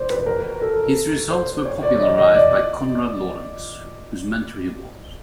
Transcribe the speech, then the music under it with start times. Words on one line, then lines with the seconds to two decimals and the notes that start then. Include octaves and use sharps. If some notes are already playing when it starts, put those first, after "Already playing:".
His results were popularised by Konrad Lorenz, whose mentor he was.
Already playing: C5 D5
0.10 B4
0.26 A#4
0.62 A4
1.30 C5
1.65 C#5
1.83 D5
2.00 D#5
2.18 D#5
2.34 D5